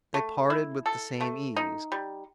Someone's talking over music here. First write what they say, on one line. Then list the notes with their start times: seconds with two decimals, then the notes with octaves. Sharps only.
They parted with the same ease.
0.14 A3
0.50 E4
0.86 A4
1.21 A3
1.56 D#4
1.92 G3